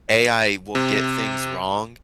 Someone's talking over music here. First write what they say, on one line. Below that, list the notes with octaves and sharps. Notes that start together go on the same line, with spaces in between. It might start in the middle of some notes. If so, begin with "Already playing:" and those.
AI will get things wrong,
C3